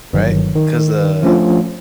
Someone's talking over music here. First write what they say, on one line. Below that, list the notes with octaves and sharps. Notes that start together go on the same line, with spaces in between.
Right? 'Cause, uh,
G1 G2 D#3 F#3
D#3
F3 A3 C#4 D4 F4